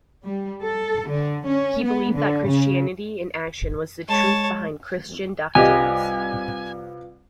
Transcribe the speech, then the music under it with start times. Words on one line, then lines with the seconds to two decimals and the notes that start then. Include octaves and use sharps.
He believed that Christianity in action was the truth behind Christian doctrines.
0.25 G3
0.63 A4
1.09 D3
1.47 C#4
1.84 B3
2.13 D3
2.47 C#3
4.08 G#3 C#5 A5
5.55 C2 F4 G4 B4 D#5 F5 G#5